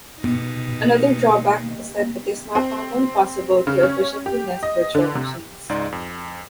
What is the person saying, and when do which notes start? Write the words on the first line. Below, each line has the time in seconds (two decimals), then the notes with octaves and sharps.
Another drawback is that it is not normally possible to efficiently nest virtual machines.
0.18 B2 D#4
2.55 C4
3.67 C#3
3.83 C#4
4.26 G4
4.63 D#5
4.95 D3
5.15 C3
5.69 C#2 G#2 D#4 D5 C6
5.92 F2